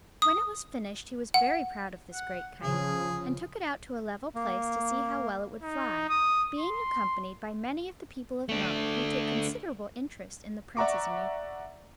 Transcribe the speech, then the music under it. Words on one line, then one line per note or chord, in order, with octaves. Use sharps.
When it was finished he was very proud of this great kite, and took it out to a level place to see how well it would fly, being accompanied by many of the people of Mo, who took considerable interest in the Prince's amusement.
D#6
F#5
F#5
C#3 F3 G#4
A#3
D#4
D#6
C6
A3 D4
D5 E5 F#5 A#5 C#6 D6